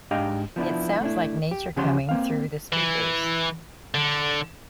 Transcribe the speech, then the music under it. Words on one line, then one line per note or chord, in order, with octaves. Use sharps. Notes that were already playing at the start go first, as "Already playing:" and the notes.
It sounds like nature coming through the speakers.
G#2 D4 G4 D#5 F5 G5
F3 B3 D4 E4
A3 D4 E4
G4
C#3 F3 C#4 G4 F#5 C6
A#3 C4 F5
E3
D3